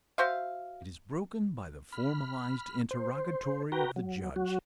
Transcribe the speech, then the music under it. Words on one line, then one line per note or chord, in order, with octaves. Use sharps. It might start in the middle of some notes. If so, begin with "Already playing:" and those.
It is broken by the formalised interrogatory of the judge?
F#4 C5 E5 F5
B5 F6
C5
F#4 B4 G5 A#5
F#3
F#3 F#4